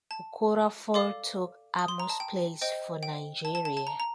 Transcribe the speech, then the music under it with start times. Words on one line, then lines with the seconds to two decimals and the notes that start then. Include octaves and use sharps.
Okorafor took Amu's place for Nigeria.
0.11 A5
0.94 A4 D5 F5 D6
1.79 D#6
1.88 C6
2.00 A#5
2.10 A5
2.20 G5
2.62 C5 D#5 G5
3.03 G5
3.45 A5
3.55 A5
3.65 A5
3.77 A5
3.87 A#5
4.00 A#5